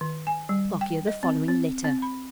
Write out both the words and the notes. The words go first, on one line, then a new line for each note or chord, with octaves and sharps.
Lockyer the following letter.
D#3
G#5
G3
G5
D#5
C4
C4
C4
B5